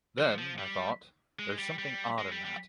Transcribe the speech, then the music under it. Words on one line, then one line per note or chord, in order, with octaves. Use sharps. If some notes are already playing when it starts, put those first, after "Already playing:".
Then, I thought, there's something odd in that.
F3
F3
G3
G#3
G3
G3
G#3
G3
G3